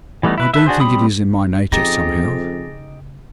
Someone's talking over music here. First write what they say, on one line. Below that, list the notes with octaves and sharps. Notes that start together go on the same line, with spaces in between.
I don't think it is in my nature somehow.'
E3 G3 A3 B3 D#4
E4 B4
A4 B4 E5
D4 F#4 G#4 C5
G3 C4 B5 D#6
F2 C#3 D#4 G4 G#4 D#5 A6 A#6